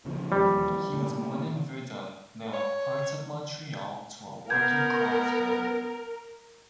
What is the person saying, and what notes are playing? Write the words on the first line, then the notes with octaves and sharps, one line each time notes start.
He was born in Verdun, now part of Montreal, to a working-class family.
A#2 C#3 F3
E1 D#2 F3 G3
A#2 A3
C#5
B3 A#4 G6 G#6